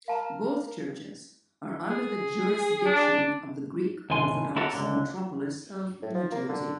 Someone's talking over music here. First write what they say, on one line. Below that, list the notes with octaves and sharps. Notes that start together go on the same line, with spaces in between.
Both churches are under the jurisdiction of the Greek Orthodox Metropolis of New Jersey.
A#4 F5 A5 A#5
G#4
D4
D#2 A2 C3 G#5 C6
A#3 E4 F#4 A4 A#4 C#5
C#2 G#2 D3
A2
F3
A#3
D3